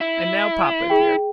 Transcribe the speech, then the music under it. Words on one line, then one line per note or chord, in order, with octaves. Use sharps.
And now Papa appeared.
E4
G#4 G5